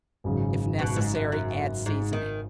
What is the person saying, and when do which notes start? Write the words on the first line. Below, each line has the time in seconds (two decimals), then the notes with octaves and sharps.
If necessary, add seasoning.
0.24 G#1 F#2 C#3
0.79 B2
0.96 G#2
1.15 F#2
1.32 F#2
1.86 G#2
2.13 D#3